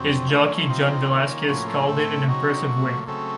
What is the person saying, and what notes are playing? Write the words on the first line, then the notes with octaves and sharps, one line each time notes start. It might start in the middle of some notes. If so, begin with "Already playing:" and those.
His jockey John Velazquez called it an impressive win.
Already playing: F2 C3 F#3 C4
D#3 A3 C#4 F4
F4
F4
C3 F3 C4 D#4
D#3 A#3 C#4
A2 F3 A#3 C#4 F#4
A4
A2 A3 C4 A4
C#3 F#3 C4 D#4 F#4
A#2 F#3 A3
C#3 F#3 A3 C4 A4